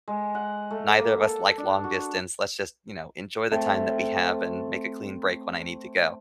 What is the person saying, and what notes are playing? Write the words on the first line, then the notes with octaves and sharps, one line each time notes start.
Neither of us like long distance. Let's just, you know, enjoy the time that we have and make a clean break when I need to go,"
G#3
F#5
A3
A#3
A4
D4
F#4
A3 C4 A5